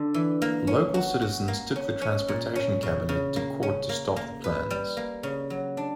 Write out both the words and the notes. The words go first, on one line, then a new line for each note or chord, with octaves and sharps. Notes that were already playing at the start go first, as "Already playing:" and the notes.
Local citizens took the Transportation Cabinet to court to stop the plans.
Already playing: D3 D4
E3
A#3
C#4
F#4
F#4
A#3
C#4
C#4
A#2
C#4
C#3
C#3
A#3
C#4
A#3
A#3
B4
G3
A#3
C#3
F#3
D4